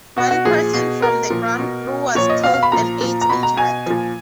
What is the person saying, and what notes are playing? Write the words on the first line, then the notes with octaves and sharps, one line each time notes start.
One person from the ground crew was killed and eight injured.
B2 F#4
F#4
A#2 F3 G#4
B2
B2 A#4
A#2 F3
B2
B2
A#2 F3 C#5
D#5
B2 F5
F5
B5
A#2 F3 A#5
A#2 F3
A#5
B2 B5
A#5
B2 G#5
A#2 F3